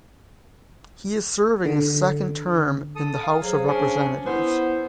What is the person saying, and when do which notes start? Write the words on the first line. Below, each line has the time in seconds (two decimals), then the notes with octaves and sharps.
He is serving his second term in the House of Representatives.
1.65 D3
2.96 A4 D#6
3.23 F5
3.42 F#3 G#4 C5
3.68 C#4 D4
4.26 B3 E4 C5